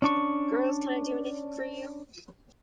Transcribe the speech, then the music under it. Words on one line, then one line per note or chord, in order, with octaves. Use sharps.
Girls, can I do anything for you?
C#4 D4 C#6